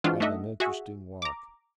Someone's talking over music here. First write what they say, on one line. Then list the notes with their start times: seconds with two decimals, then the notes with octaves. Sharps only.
Had an interesting walk.
0.04 E3 G#3 C4 D4 F4 F#4
0.20 A3 D4 D#4 D#5 E5 F#5
0.60 F#4 G#4 E5
1.22 A#5 D6